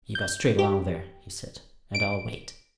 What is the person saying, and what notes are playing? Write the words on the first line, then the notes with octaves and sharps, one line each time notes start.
"You go straight along there," he said, "and I'll wait."
G6
G4
D7